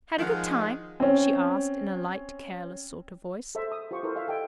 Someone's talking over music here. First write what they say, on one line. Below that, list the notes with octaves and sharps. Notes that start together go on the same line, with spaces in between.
"Had a good time?" she asked in a light, careless sort of voice.
D#3 F3 G#3 F5 F#5
C4 C#4
A4 C5 E5
D#6
F4 G4 C5 F5 C#6
E4 A4 A#4 C5
E5 F5 G#5
A4 D#5 G5 G#5